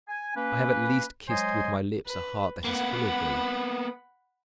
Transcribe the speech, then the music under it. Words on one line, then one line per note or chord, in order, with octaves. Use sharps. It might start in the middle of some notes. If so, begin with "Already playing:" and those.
I have at least kissed with my lips a heart that is full of Thee.
G#5
A#3 C#4 B4
F#3 G#3 C5 D#5 G#5
B4
A#3 B3 F#5 B5